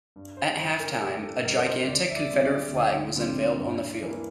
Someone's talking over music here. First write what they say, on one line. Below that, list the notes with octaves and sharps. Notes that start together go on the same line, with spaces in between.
At halftime, a gigantic Confederate flag was unveiled on the field.
G2
C5
D3 G3 C5
A#4
G2 G4
A4
D3 G3 A#4
A#4
C5
D2 D5
E5
D5
D3 G3 C4
D5
D2
D3 G3 C4
G2
E3 A#3